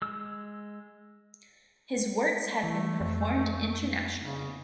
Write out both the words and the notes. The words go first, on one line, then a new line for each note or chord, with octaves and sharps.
His works have been performed internationally.
G#3 E6
E3 A3
F2
C#3